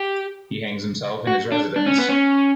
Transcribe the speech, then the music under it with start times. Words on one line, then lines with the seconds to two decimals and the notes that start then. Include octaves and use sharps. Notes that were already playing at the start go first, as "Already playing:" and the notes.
He hangs himself in his residence.
Already playing: G4
1.27 F#4
1.52 D4
1.76 D4
1.86 C#4
1.98 B3
2.09 C#4